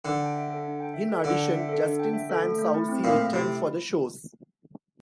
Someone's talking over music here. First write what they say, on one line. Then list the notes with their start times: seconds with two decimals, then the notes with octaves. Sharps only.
In addition, Justin San Souci returned for the shows.
0.05 D3 D4
0.20 G5
0.35 E5
0.50 A4
0.64 D4
0.80 G5
0.94 E5
1.09 A4
1.24 D3 D4
1.39 G5
1.54 E5
1.69 A4
1.85 D4
1.99 G5
2.13 E5
2.30 A4
2.44 A3
2.58 A3
2.74 E4
2.89 C4
3.04 A#2 A3
3.18 A3
3.33 C3 E4